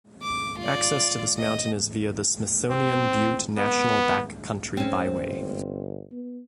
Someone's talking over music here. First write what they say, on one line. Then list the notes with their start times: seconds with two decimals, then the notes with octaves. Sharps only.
Access to this mountain is via the Smithsonian Butte National Back Country Byway.
0.22 D6
0.58 F4 D5
1.37 D#5
2.70 C4
3.57 B3
4.77 G#2 C4 C#4
5.14 G1
6.12 B3